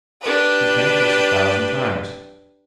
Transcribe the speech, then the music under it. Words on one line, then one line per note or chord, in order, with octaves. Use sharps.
He thanked us a thousand times.
D4 G4 B4